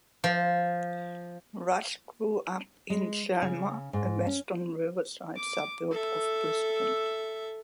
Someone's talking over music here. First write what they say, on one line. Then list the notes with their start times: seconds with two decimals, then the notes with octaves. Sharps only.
Rush grew up in Chelmer, a western riverside suburb of Brisbane.
0.24 F3
2.90 G#3
3.42 C#3
3.93 G#2
4.27 C#4
5.36 D6
5.91 A4 E5